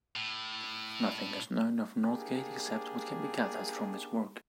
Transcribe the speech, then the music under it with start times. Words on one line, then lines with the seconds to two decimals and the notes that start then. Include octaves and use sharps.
Nothing is known of Northgate except what can be gathered from his work.
0.16 A2
2.07 A#3 D4 G4 G#4